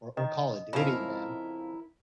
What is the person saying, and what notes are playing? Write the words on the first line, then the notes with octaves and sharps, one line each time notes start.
or or Call of Duty, man.
D#3 D#5
F2 C#3 E4 A#4 F5